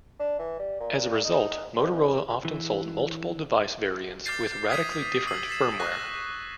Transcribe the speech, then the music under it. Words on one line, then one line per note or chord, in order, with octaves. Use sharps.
As a result, Motorola often sold multiple device variants with radically different firmware.
D4
E3
G3
A#2
D#4
F2
E3
D6 F6 G6 A6 C7
D#6 G#6 B6 C7 D#7
E6 C7 D#7 F#7
A6 B6 C7 E7
C#6 F#6 A#6 B6